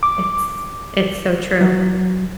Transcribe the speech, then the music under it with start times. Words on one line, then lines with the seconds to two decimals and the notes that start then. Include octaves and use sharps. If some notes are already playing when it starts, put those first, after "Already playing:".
It's it's so true.
0.03 D6
1.61 F#3